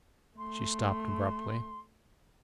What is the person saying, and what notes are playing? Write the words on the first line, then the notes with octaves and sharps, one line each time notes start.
She stopped abruptly.
A3 C6